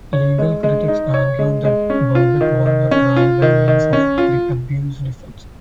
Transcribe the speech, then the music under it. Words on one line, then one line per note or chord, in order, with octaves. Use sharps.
Legal critics argued that Bobbitt won her trial by means of the abuse defense.
C#5
G#3
G#3
D#4
C#5
G#3
G#3
C#4
F4
D#3
D#3
C#4
F4
D#3
D#3
C#4
F4